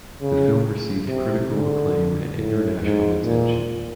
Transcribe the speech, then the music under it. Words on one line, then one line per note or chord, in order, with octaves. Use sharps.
The film received critical acclaim and international attention.
C#3
C3
D3
A2
G#2
A#2